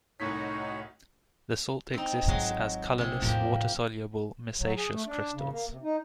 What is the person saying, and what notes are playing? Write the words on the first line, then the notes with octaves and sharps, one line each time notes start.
The salt exists as colourless, water-soluble, micaceous crystals.
C2 A2 D#4 F#4 C#5 B6
C4 D#4
G#1 F#3 G#3 F4 G#4
C3 G#4
E2 A2 F3 A#3 G4
F#3
G#4
A3
D4
C#3
A#3
C3
D#4